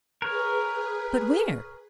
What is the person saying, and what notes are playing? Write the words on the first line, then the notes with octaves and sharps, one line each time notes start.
"But where?"
G#4 A#4 B4 C#5